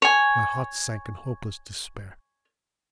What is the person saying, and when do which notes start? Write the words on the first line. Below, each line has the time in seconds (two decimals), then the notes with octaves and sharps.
My heart sank in hopeless despair.
0.02 C#5 G#5